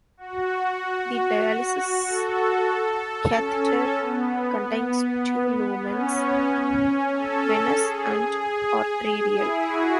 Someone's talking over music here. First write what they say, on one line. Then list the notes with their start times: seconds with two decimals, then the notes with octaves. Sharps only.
The dialysis catheter contains two lumens: venous and arterial.
0.17 F#4
2.07 A4
3.33 C#4
3.96 B3
5.87 C#4
6.49 C#4
7.14 A4
7.77 G#4
8.39 G#4
9.03 G#4
9.35 E4
9.67 F#4